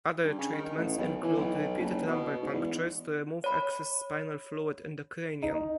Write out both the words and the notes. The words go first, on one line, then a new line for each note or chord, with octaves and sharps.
Other treatments include repeated lumbar punctures to remove excess spinal fluid in the cranium.
G2
C#3
D#3
A1
B1
E3
B1
F#1
B2
G#2
E2
C#5 B5
D#4